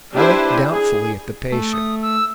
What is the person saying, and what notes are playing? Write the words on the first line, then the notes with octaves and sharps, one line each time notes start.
I looked doubtfully at the patient.
D4 E4 G4 B4 C5
G#4
A3
D#6
E6